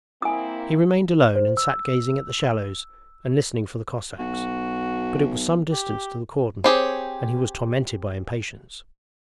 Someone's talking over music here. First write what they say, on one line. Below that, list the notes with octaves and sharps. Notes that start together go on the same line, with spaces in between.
He remained alone and sat gazing at the shallows and listening for the Cossacks; but it was some distance to the cordon and he was tormented by impatience.
A#3 C4 E4 G#5 D#6
C5
E6
B1 F#4
G4
C4 G4 G#4 C#5